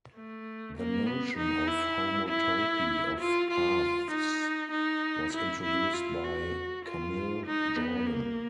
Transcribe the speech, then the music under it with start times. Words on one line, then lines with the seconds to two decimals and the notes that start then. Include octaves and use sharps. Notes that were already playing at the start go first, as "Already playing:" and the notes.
The notion of homotopy of paths was introduced by Camille Jordan.
0.16 A3
0.76 A#3
1.07 B3
1.37 D#4
1.67 E4
2.28 E4
3.20 F4
3.50 F4
4.11 D#4
4.71 D#4
5.33 E4
5.63 E4
5.94 F4
6.24 F#4
6.85 F4
7.46 D#4
7.76 B3
8.07 A#3